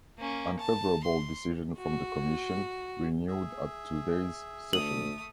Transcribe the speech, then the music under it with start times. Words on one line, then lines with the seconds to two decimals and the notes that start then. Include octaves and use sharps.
Unfavorable decision from the commission, renewed at todays session.
0.18 A#3 C#4
0.60 A5
1.04 C6
1.78 F#4
3.28 G#4 E5
4.73 D2 A3 D#6 F#7